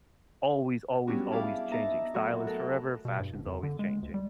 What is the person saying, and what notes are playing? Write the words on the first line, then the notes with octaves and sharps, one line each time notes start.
always, always, always changing. Style is forever, fashion's always changing.
F#3 G3 B3 C#4 D4 F#4
E4 G#4 F5 A5 B5 D6
B3 D#4 E5 A5 A#5
A2 F#3 F#4
A2 A4 A#4 F#6
B2
G2
F#1
F2
D3
G#3
D2
G3